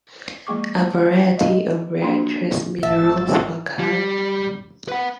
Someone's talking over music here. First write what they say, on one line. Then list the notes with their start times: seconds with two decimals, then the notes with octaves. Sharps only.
A variety of rare trace minerals occur.
0.47 F3 G#3 A#3 G#4 C#6 D6
1.38 D#5 F5
2.02 A#3 C#4 D4 F#4 G#4 C6
2.83 G#1 E5 A5 E6 A6
3.79 G3
4.88 B4 F#5